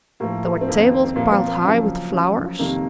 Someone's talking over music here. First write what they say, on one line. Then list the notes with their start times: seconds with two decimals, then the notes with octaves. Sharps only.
There were tables piled high with flowers.
0.20 A2 F3 A#3
0.45 A3
0.61 C4
0.68 F2 D#3 A#3
0.91 C4
1.05 C4
1.16 A#2 F3 A#3
1.31 C4
1.47 A#3
1.64 F#2 C#3 F3
2.11 F#2 F3
2.59 F2 C3 D#3 A#3